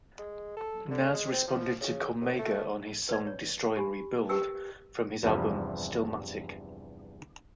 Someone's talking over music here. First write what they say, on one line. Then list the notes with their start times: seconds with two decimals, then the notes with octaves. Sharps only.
Nas responded to Cormega on his song "Destroy and Rebuild" from his album "Stillmatic".
0.19 G#3
0.57 A4
0.90 D3
1.13 G#3
1.32 C4
1.47 F3
1.81 C#3
2.21 D#2
2.39 A3
3.09 B4 D5
3.27 C#5
3.77 G4 G#5 B5
4.29 G4 A#4 B4 G5 E6
5.23 E2 G2 C3 E3 F3